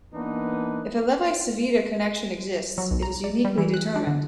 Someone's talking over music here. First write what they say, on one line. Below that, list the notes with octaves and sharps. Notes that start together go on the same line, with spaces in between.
If a Levi-Civita connection exists, it is uniquely determined.
E3 A#3 B3 D4 D#4 B4
F#3
B1
A#5
D5
G3
E3
F#6
D4
D3